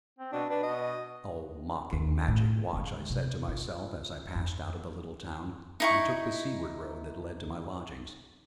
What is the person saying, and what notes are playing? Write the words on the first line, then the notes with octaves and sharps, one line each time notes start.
"Oh mocking Magic Watch!" I said to myself, as I passed out of the little town, and took the seaward road that led to my lodgings.
C4
B2 D4
D4 B4
B2 D#5
D#2
A2
D3 G#3
C3
F4
F2
D#4 E4 C#6